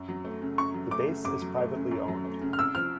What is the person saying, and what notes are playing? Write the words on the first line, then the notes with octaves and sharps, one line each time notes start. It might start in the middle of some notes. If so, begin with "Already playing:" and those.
The base is privately owned.
Already playing: F#2
F#3
A3
C#3
F#2 C#6
F#3
A3 D6
C#3
F#2 D6
F#3
A3
C#3
F#2
F#3
A3
C#3
F6
C2 E6
F3 F6